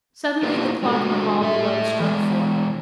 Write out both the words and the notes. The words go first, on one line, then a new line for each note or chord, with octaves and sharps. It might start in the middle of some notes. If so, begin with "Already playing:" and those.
Suddenly the clock in the hall below struck four.
A#3 E4 F4 G4 A#4 B4
G3 G#3 D4 F#4 A4
A2 A3 E5
E3 G#3